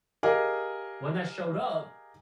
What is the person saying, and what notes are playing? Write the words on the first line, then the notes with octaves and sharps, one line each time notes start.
when that showed up,
G4 G#4 A#4 D#5 F5